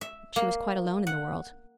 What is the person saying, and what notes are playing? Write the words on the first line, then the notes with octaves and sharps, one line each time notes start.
She was quite alone in the world.
E5
A#3
F#5